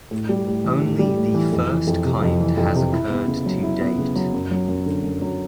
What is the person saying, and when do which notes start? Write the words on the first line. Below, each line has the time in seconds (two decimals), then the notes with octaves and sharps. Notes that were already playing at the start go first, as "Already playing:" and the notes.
Only the first kind has occurred to date.
0.11 A2
0.29 G3
0.47 A2
0.64 E3
0.82 A2
0.99 G3
1.17 A2
1.34 E3
1.52 F2
1.69 E3
1.87 F2
2.05 C3
2.22 F2
2.40 E3
2.57 F2
2.75 C3
2.93 E4
3.10 B3
3.28 C#3
3.46 F#3
3.63 E4
3.81 B3
3.98 C#3
4.16 F#3
4.33 F#2
4.51 F#3
4.68 F#2
4.86 D3
5.04 F#2
5.22 F#3